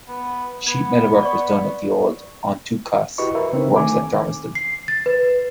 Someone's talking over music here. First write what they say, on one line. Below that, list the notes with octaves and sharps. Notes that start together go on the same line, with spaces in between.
Sheet metalwork was done at the old 'en tout cas' works at Thurmaston.
B3
B3 G#6
D5 C#6
E4 F#4 G4 B4 D#5 C#6
A#4 B4 E5
C#3 C4 D4 D#4
D#3 A3 G#5 D6
C7
A6
B4